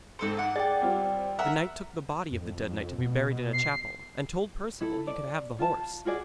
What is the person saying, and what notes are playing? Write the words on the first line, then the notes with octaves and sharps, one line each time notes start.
The knight took the body of the dead knight to be buried in a chapel, and told Perceval he could have the horse.
G#2 C4 A4 C5 C#7
A#3 F#5
G#4 D5 G5 A6
G3 C4 F4
A#4 E5 F#5
F2
B2
C7
E4 A4
D5
F4 A5
F4 F#4 G#4 D5